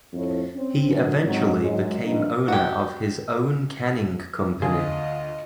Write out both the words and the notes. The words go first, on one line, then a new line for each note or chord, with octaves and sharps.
He eventually became owner of his own canning company.
F2 A2
C4 C#4
F#2 D3
G#2 F#3 C4 D#4
F#2 F#3 G#3
A#1 G2 C3 D#4
F#4 G4
D2 F4 G#4 D#5 F5